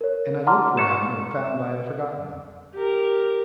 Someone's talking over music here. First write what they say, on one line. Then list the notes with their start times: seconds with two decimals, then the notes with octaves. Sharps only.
And I looked round, and found I had forgotten them.
0.01 A#4 C#5
0.47 F#5 A5 A#5 C6 D6 F6
0.77 C#6 D6 C#7 E7
2.74 G4 A#4